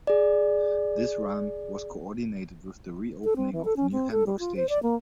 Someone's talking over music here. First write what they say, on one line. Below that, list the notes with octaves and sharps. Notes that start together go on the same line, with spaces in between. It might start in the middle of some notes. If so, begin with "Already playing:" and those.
This run was coordinated with the re-opening of the New Hamburg station.
G#4 D5
A4
C4
E3
A4
C#4
C4
A4
G3
F4
C5
D5
A#3